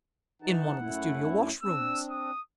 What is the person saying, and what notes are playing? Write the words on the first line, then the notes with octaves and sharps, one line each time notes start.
"In one of the studio washrooms."
E3 D#4 F#5 A5
F#2 A3 E4
C4 D4 E6
D#6